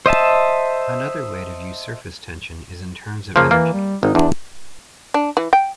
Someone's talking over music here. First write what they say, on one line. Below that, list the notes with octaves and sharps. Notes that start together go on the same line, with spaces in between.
Another way to view surface tension is in terms of energy.
C5 D#5 E5 A5
C#3 F3 A#3
E3 A#3
G3
G#1 D#4
E2 D4
D4
E3
G5